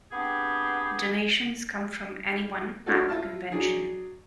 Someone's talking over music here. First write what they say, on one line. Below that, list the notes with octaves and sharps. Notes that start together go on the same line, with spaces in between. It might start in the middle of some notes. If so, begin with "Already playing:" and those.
Donations come from anyone at the convention.
B3 C4 D4 G4 G#4
A3 C#4 D4 F4 F#4 A4
F4 E5 A5 F6
F#3 D4 G#4